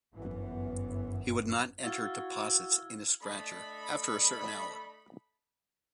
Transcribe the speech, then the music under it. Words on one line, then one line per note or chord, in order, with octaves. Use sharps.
He would not enter deposits in his scratcher after a certain hour.
G1 F#2 E3 B3
E4 F#4 F5 E6 F6 G#6 A6
A3 D4 D#5 B5